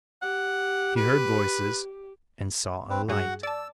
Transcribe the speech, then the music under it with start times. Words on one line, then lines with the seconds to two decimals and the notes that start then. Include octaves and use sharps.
He heard voices and saw a light.
0.22 G4 F#5
0.96 B4
2.90 C4 B4
3.09 G2 F#4 G#4 F#5
3.43 D5 A5 E6